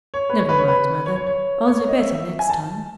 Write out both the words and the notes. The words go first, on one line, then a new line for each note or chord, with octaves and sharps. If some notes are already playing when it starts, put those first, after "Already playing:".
'Never mind, Mother; I'll do better next time.'
C#5
B4
C#5
B4
C#5
B4
C#5
C#5
C#5
C#5
C#5
D#5
E5
E5
G#5
A5